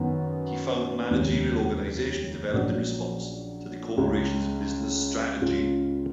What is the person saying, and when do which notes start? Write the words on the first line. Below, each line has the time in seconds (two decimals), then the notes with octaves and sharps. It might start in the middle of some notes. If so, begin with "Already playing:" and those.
He found that managerial organization developed in response to the corporation's business strategy.
Already playing: F#2 D#3 F#3 B3
1.10 F1 D#2 C#3 G#3 C#4
2.53 A#1 A#2 F#3 C#4
3.97 C#2 C#3 G#3
5.41 C#2 C#3 G#3 C#4 F4